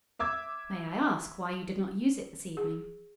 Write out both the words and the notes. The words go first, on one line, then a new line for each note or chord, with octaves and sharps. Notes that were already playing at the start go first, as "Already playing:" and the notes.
"May I ask why you did not use it this evening?"
E5 D6 E6 G#6
G#4